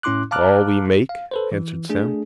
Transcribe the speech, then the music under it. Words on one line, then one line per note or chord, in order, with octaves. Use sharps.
"All we make," answered Sam.
A2 C#4 E4 C6 D6 F#6
F5 A5 A#5 D6 F6 F#6
F5
A4 B4 C5
E3
A3 D4 G#4